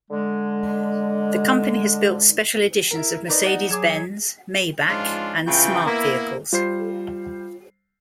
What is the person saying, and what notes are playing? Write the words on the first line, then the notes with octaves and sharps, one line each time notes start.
The company has built special editions of Mercedes-Benz, Maybach, and Smart vehicles.
D3 G#3
E4 A#4
D#4 A#4 B4 D5 D#5
D5 F#5
F#3 G#4 D6 G#6 E7
G#2 F3 G#3 C#4 D4 F4
C#3 E3 F4 G5
A#3 B3 E4
G3 F4 C5 C7